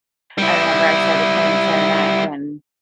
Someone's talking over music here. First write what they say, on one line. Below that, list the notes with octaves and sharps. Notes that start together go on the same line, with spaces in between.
I remember I started playing the clarinet when
G3 E4